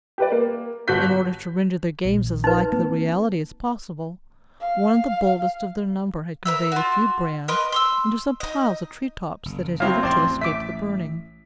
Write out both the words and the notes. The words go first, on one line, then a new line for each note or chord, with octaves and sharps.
In order to render their games as like the reality as possible, one of the boldest of their number had conveyed a few brands into some piles of tree-tops that had hitherto escaped the burning.
G4 B4 D5
A#3
G1 F#4 F#6 G6 B6
A#1
D#4 B4
A#3 C4
F5
A#4 B4 E5 E6
F4 F#4
A#4 B4 D#5 C6
C6 D6 E6
D#4 D#5
F#1
F#3 C4 E4 F5
A1 F2 C4 D5 C6
E5 D6 B6